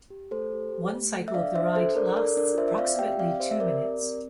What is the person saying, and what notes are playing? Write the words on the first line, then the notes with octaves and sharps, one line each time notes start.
One cycle of the ride lasts approximately two minutes.
G4
A3 A4 C5
G4
G4
A3
A4
E5
D4 D5 F5
D4 C5 E5
A4 C5
D4 A#4 D5
A4 A#4 D5
D4 A#4 D5
F4 C5 E5
E5
C4 D5 F5
G4 E5 G5
C4 D5 F5
G4 C5 E5
E5
C4 A#4 D5
G4
C4